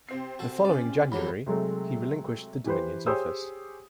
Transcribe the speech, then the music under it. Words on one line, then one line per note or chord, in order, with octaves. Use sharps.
The following January, he relinquished the Dominions Office.
C3 C4 C5 C7
F#4 A4
C#4 D5
G#1 E2 F#3 C#4 G4 B5
C3 F#3 G#3 A3
E3 G4 B4 C5
G4 G#4 C5 C#5 D#6 E6